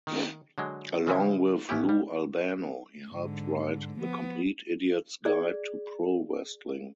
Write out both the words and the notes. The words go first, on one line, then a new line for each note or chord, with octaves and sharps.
Along with Lou Albano, he helped write The Complete Idiot's Guide to Pro Wrestling.
D#3
D3 F#3 G#3
C#3 E3 F3 G#3 C4 E4
A1 B3 C#4 E4 G4
G3
G#2 D3
F3 B3
G#4 D5